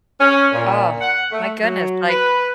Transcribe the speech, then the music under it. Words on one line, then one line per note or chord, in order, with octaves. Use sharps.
Oh, my goodness, like
C#4
A#2
F#5
A3
F#3
B4